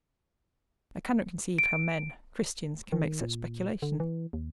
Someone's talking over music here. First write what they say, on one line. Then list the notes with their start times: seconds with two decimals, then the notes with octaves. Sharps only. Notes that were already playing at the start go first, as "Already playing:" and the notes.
I cannot conceive how men, Christians, can make such speculation.
1.58 D7
2.92 D#3
3.21 A#2
3.82 D3
4.00 E3
4.33 D#2